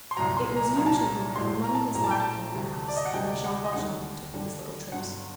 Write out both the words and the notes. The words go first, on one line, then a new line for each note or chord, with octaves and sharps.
It was usually when money was lacking in the house that Jean Valjean took these little trips.
C6
C2 A#2 F#3 A#5
C6
A#5
C2 A#2 F#3 A#5
A5
A#5
A#1 A2 F#3 C6
A#5
A5
A#1 A2 F#3 A#5
A5
G5
A5
D2 C3 G3
D5
D#5
F#5
D2 C3 G3 G5
F#5
D#5
D#2 D3 G3 F#5
D#2 D3 G3
G1 G2 D3 F#3 F#5